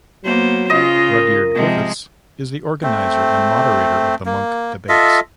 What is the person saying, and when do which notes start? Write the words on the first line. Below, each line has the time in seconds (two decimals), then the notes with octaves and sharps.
Rudyard Griffiths is the organiser and moderator of the Munk Debates.
0.25 F#3 A#3 B3 C5
0.70 C#3 F4 D#5
1.11 A#4
1.55 C3 F3 G#3
2.83 A3 C4
4.26 A#3
4.89 F4 A4 D#5 E5